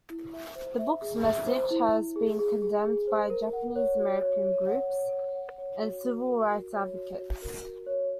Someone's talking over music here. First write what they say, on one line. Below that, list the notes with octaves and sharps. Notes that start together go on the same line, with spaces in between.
The book's message has been condemned by Japanese American groups and civil rights advocates.
E4
E5
C5
E5
G#4
E5
C5
E4
E4
G#4
G#4
G#4
G#4
C5
A#4
F#5
C#5
F#4
C#5
C#5
F#5
C#5
F#5
F#5
C#5
F#4
F#4
A#4
F#4
C#5
F#4
F#4
A#4
F#4
C#5